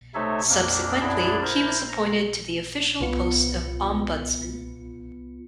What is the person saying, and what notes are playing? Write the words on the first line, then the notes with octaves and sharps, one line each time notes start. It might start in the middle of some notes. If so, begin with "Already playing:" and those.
Subsequently, he was appointed to the official post of Ombudsman.
C3 A3 D#4 A4 C#5 E5
F2 A#3 D4
F#2 D4 E4 G#4 D5 A5
E4 A#4 C5
A#5
C2 B3 F4 C#7